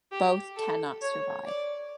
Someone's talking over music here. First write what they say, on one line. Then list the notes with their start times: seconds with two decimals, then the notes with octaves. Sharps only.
Both cannot survive.
0.12 G4
0.56 A4
1.01 C#5
1.46 D5